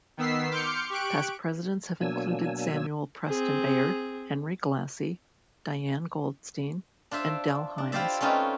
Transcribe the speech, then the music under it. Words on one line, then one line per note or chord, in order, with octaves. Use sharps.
Past presidents have included Samuel Preston Bayard, Henry Glassie, Diane Goldstein, and Dell Hymes.
D#3 B3 E6 B6 C7
C6 D6 F6 G6 C#7
G4 C#6 F#6 D7
B2 F#3 A#3 D4 G#5 E6
C4 G#4
D4 F4 C5 E5
D4
E4 F4 G4 C5 D5 E5
A3 C4 C#4 D#4 F4 B4